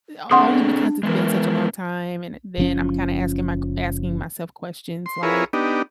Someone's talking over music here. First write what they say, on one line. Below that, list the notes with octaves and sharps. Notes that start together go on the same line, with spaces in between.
only because it's been such a long time and then I'm kinda asking my q asking myself questions like
C4 D4 G#4 A4 F#5 C6 D#6
E3 G#3 B3 A#4
F#1 F3 C#4
C6
E4 F4 G#4 A#4 B4 C#5
B3 D4 D#4 G4